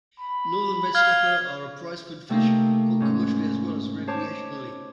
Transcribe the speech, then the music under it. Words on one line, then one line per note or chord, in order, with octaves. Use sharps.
Northern red snapper are a prized food fish, caught commercially, as well as recreationally.
B5
F5 F6 G#6
C3 A3 A#3 C4 D#4
G#2 C#4
C5 C#5 A5 D6